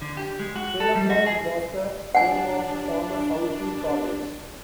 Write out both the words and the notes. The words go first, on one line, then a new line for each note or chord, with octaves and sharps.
Salemburg was the home of the former Southwood College.
D3
G4
G#3
F#4
A4
G3
F#4
G#4
D4 F#5 G#5